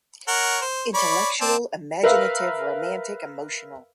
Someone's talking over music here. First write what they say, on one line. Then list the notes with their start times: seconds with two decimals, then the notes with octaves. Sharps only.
Intellectual, imaginative, romantic, emotional.
0.28 A#4 C#5 F#5
0.62 C5
0.94 C#5 D5 B5
1.41 C4 D5 A5
2.03 A#4 B4 E5 F5